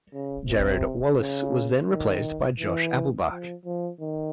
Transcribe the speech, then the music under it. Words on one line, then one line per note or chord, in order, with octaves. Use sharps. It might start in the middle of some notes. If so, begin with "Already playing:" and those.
Jared Wallace was then replaced by Josh Applebach.
C#3
C3
C#3
D#3
E3
F3
F3
D#3